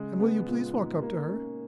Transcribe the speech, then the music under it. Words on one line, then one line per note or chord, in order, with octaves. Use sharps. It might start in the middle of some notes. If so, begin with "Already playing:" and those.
"And will you please walk up to her?"
Already playing: C#3 G#3
B3
A#2
D#4
A#3
C#4